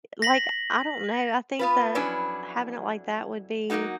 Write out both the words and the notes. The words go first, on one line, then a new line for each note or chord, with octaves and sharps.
I Like, I don't know, I think that having it like that would be
A#6 B6 F#7
B3 F4 B4
F2 F#3 C#4 D4 E4 B4
F#3 A#3 B3 D#4 F#4